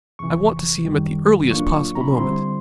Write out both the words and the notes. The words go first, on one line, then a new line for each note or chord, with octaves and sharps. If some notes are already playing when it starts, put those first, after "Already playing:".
I want to see him at the earliest possible moment.
E2 C3 E3 C#6
F#2 D#3 G3
A2 F#3 A#3 D4 F4 C#6
C#6
A#5
B5
D3 G3 C4 E4 C6